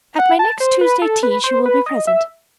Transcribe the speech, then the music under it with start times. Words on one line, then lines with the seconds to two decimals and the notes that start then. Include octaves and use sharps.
At my next Tuesday tea she will be present.
0.19 F#5
0.39 A5
0.60 C5
0.81 B4
1.02 A4
1.23 B4
1.44 C5
1.65 B4
1.86 D#5
2.07 E5